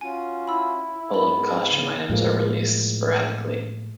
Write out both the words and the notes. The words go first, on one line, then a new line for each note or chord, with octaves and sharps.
Pullip Costume items are released sporadically.
C#4 F4 F#4 G#5
E4 B5 E6
G#2 B3 B5
C#3
A2 F3 G#3 A#3